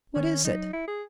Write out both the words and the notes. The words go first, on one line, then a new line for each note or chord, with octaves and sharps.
"What is it?"
D#3 C#4
F#3 D#4
E4
G#4